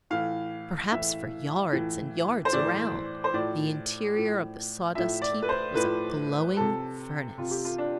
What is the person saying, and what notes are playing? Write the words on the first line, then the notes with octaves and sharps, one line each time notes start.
Perhaps for yards and yards around, the interior of the sawdust heap was a glowing furnace.
A2 E3 F5
A2 E3 E5
A2 E3
C5
A2 E3 D5
C5
A2 F3 D5
A2 F3
A2 F3 E5
D5
B4
C5
A2 F3 B4
C3 F3 A4
C3 F3 F4
G4
F4
D4